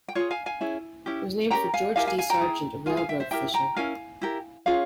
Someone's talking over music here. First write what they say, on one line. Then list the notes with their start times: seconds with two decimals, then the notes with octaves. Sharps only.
It was named for George D. Sargent, a railroad official.
0.08 G5
0.15 F4 G#4 C#5 F5
0.31 F5 G#5
0.46 F5 G#5
0.61 C#4 E4 G#4
1.06 C#4 E4 G4
1.51 C#4 G4 A#4 G5 A#5
1.74 F5 G#5
1.96 E4 G4 A#4 F5 G#5
2.07 F5 G#5
2.18 F5 G#5
2.30 G5 A#5
2.41 E4 G#4
2.86 F4 F5 G#5
2.89 G#4
2.97 F5 G#5
3.09 E5 G5
3.20 C5 E5
3.31 E4 G4 A#4 E5 G5
3.54 G5 A#5
3.76 C#4 E4 A#4 F5 G#5
4.21 E4 G4 A#4
4.66 C#4 F4 G#4 C#5 F5